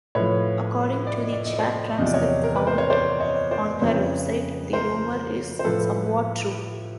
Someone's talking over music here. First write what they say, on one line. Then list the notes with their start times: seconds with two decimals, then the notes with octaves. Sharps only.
According to the chat transcript found on her website, the rumor is "somewhat true".
0.15 A2 F3 B4 C#5
1.07 D5
1.20 D#5
1.33 D5
1.46 D#5
1.58 C5 D5
1.98 E2 C3 F3 D#5
2.06 D5
2.14 C#5 D#5
2.44 A#4
2.56 B4
2.67 C5
2.78 C#5
2.90 C5 D5
3.11 D5
3.20 C#5 D#5
3.51 C5 D5
3.81 F2 C#3 F3 B4 C#5
4.73 A#4 C5
5.59 C5
5.65 A2 F3 A4 B4